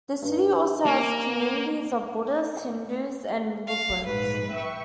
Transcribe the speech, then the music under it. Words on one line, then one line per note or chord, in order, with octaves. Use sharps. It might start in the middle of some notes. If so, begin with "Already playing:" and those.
The city also has communities of Buddhists, Hindus and Muslims.
G2
A#3
F5
A#1 G#2 B4
E5 G5 C#6